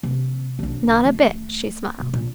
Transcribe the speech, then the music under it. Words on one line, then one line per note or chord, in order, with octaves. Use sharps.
"Not a bit," she smiled.
C3
B1 D3
A3
B2
A#2